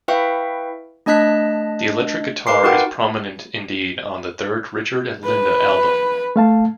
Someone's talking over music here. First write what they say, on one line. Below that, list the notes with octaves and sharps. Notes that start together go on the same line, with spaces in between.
The electric guitar is prominent indeed on the third Richard and Linda album.
E4 B4 E5 F5 G5 C#6
A3 D4 D#5 A5 F#6 B6
A#4 B4 F5 C6 D6 C7
D#4 F#4 A#4 B4 F#5 G5
B4
A3 F5 A5